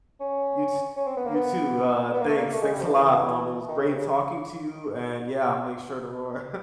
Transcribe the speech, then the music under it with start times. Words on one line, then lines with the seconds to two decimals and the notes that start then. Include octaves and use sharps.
you t you too, uh, thanks thanks a lot, um, it was great talking to you and yeah, I'll make sure to roar.
0.20 C#4
0.97 C#4
1.07 C4
1.17 B3
1.26 A#3
1.35 B3
2.13 B3
2.22 A#3
2.29 A3
2.36 A#3
2.53 A3
2.62 G#3
2.72 G3
2.81 F3
2.91 E3
3.68 D#3
3.79 C#3
3.88 C3
3.98 C#3